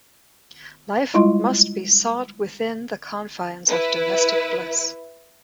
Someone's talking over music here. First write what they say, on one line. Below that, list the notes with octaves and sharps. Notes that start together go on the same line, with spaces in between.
Life must must be sought within the confines of domestic bliss.
G3 G#3 E4 F4 D#5 C6
E4 B4